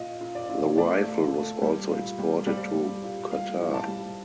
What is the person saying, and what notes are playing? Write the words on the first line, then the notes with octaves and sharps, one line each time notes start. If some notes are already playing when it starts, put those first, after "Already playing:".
The rifle was also exported to Qatar.
Already playing: A#2 D#5
A#2
D5
A#2
A3 D5
A3
A3
G3
A#2
G3
G3 D5
G3
A#2
G3 F5
A2
A5
G3